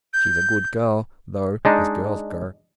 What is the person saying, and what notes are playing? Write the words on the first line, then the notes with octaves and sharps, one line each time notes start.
She's a good girl, though, as girls go.
G6
G#3 D4 D#4